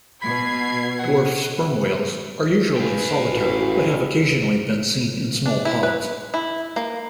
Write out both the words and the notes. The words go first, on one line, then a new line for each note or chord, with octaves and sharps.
Dwarf sperm whales are usually solitary, but have occasionally been seen in small pods.
B2 B5 G#6 C7
F#5
B4 F5 G5 G#5
A1 F#4
D4
E4
B4
E4
A#3